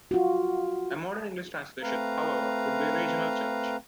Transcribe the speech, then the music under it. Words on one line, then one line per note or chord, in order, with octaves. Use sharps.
A modern English translation, however, would be "regional church".
F4 F#4
A3 C4 B4 F5 A#5